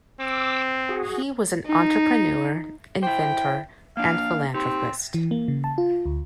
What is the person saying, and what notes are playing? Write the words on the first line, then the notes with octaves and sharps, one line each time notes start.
He was an entrepreneur, inventor, and philanthropist.
C4 D6 E6
F#4 G#4
D#4
E4 C5 G5
A#3 D4 F5
C4 D#4 G4
E3
A#3
C#3
A5
F4
D2